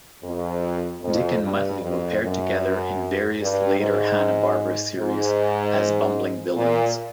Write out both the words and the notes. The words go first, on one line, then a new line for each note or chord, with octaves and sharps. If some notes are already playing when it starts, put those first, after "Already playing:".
Dick and Muttley were paired together in various later Hanna-Barbera series as bumbling villains.
F2
F2
G2
F2
F#2
G2
G#2
G#2
A#2